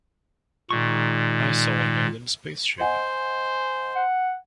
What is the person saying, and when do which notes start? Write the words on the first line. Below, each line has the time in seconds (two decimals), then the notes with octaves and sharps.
I saw an alien spaceship.
0.71 A#2 D#3 G#3 C#6
2.80 C5 D#5 F#5 G#5
3.96 F#5